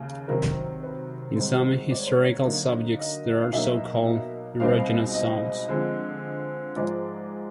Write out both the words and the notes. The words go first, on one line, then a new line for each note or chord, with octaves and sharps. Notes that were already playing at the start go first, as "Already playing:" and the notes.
In some hysterical subjects there are so-called erogenous zones.
Already playing: D#2 C#3
C3 D#3 F#3 A#4
B4
G#2 D#3 G3 C4 C5
D5
C#5
C5
C#5
D3 F#3 A#3 D#4
D#5
F5
B2 F#3 A#3 D#4 E5
C#2 B2 G3 C4 D#4 F5
D#5
D3 F3 G#3 C4
G#2 F3 G#3 D5